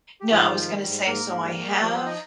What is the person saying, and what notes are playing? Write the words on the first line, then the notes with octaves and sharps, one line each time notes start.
No, I was gonna say, so I have
G4
G#2 F3 F4
D#3
G3
G#2
G#2 A#3 A#4
G#2
G3
G3
F3 A#3 A#4
C4 C5
F3
D#4 D#5